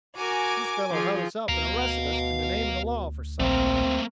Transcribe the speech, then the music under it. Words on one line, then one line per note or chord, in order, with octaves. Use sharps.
This fellow held us up and arrested us in the name of the law for something-or-other.
F#4 A#4 G#5 D6
F3 F4 G#4
D2 B2 F5 A#5
A#1 A3 A#3 C4